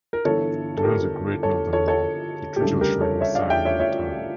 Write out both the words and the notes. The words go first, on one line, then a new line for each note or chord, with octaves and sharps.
During the Great Northern War, the Treaty of Schwedt was signed in the town.
A#4
G1 G2 E3 A4 C#5
A4
G4 A#4
A4 C#5
A4 C#5
A4 C#5
G4
D2 C#3 G3 A4
G4 A#4
A4 C#5
C#5 E5
D5 F5
E5 G5
C#5 E5
C#5 E5